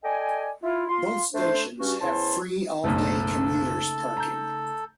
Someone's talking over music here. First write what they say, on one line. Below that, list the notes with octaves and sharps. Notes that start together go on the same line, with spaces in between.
Both stations have free all-day commuters parking.
A4 D5 D#5 G5 G#5
E4 F4
F4 C6
A3 D4 C5
G2 C#4 F#4
E2 C#4 E4 C5 A5 C6
F#1 B1 C#3 A3 D#4 A4
A#5 G6